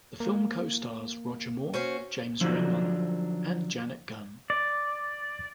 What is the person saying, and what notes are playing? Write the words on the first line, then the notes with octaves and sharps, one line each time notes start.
The film co-stars Roger Moore, James Remar and Janet Gunn.
A#3
C#4 F#4 C5
D3 F3 F#3 D4 D#4
D5